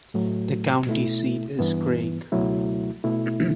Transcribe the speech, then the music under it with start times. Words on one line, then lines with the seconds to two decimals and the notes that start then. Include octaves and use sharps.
The county seat is Craig.
0.14 A2 F#3 A3
0.87 B2 A3 E4
1.59 G2 E3 B3
2.32 C#2 B2 F#3 A3 E4
3.04 B2 A3 E4